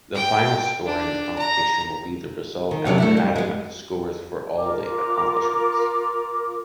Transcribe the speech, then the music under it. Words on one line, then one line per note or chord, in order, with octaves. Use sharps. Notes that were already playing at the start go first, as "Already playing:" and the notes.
The final score of the competition will be the result after adding up the score for all the accomplishments.
G5
D4
A#5
D#3
D#2 C3 F#3 D4
A3 D4 E4
G3
G#3 B3
F4 A#4 D6